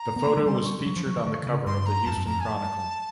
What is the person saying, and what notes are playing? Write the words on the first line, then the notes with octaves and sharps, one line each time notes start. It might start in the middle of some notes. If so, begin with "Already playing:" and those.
The photo was featured on the cover of the "Houston Chronicle".
Already playing: A#5
B3
A#3
G#3
G3 C6
C#6
G3
F#3
F3
F#3
E3
D3
C#3
G2 C6
A#5
F2 A5
F#2
F2 A#5
G#5
A5